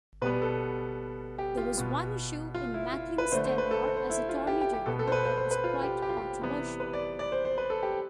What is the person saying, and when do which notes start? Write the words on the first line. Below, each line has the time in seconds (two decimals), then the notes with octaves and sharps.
There was one issue in Mackling's tenure as Attorney General that was quite controversial.
0.22 B2 G3 B3 B4
0.42 A4
1.39 G4
1.57 F4
1.77 B2 B3
2.54 F4
2.74 E4
2.93 F4
3.18 B4
3.32 D3 A3 C5
3.45 C5
3.58 B4
3.71 A4
3.83 C5
3.97 C5
4.10 E4
4.29 F4
4.47 G4
4.61 G4
4.73 G4
4.86 B2 B3 A4
4.99 A4
5.07 C5
5.12 B4
5.25 C5
5.38 C5
5.51 B4
5.64 F4
5.83 G4
6.02 G4
6.09 F4
6.17 G4
6.41 C3 E3 G3 B3
6.80 B4
6.93 D5
7.19 D5
7.32 C5
7.45 C5
7.58 B4
7.70 A4
7.83 G4